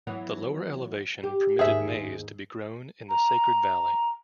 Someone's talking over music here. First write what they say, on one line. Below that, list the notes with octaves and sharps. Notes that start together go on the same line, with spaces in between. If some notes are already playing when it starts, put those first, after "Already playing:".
The lower elevation permitted maize to be grown in the Sacred Valley.
E3 F#3 B3
G4
D#2 G#2 G#4 E5
A#5